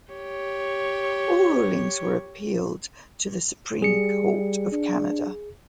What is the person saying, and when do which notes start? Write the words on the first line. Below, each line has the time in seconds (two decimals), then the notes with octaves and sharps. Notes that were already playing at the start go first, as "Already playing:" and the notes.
All rulings were appealed to the Supreme Court of Canada.
0.11 G4 C#5
3.82 G3 G#4 C#7
4.72 D4